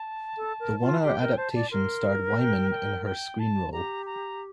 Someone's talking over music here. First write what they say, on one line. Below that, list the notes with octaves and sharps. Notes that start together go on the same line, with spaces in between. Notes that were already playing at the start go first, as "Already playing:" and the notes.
The one-hour adaptation starred Wyman in her screen role.
Already playing: A5
A4
A#4
F4
G4 G5
A#4
C5 A5
D5
A#4 C6
G5
G5
G5
A5
G4 A#5
A#5